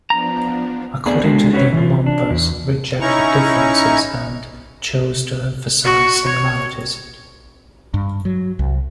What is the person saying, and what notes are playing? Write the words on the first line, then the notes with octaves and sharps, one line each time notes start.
According to him, lumpers rejected differences and chose to emphasize similarities.
F3 B3 D4 A#5
A3 B3 C4 D4 G#4 D5
G#3 A3 D4 F#4
C#4 F#4 G4 B4 C#5
E3 F4
D4
E2
C#4 D#4 E4 A#5 C#6
F#4 C#6
C#5
G2
F#3
C2